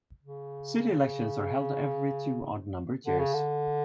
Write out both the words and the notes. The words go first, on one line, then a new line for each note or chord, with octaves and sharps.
City elections are held every two odd numbered years.
C#3
D3
C#3
D3